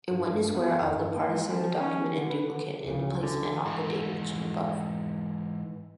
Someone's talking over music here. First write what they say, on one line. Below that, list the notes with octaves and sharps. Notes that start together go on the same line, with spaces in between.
In witness whereof, the parties sign the document in duplicate, in the place and on the date mentioned above.
G2
G2
B3
E2
G2
A#3
G#3
F3
C#4
D3
B4
D3
D2 C#3
D3
G#2 E3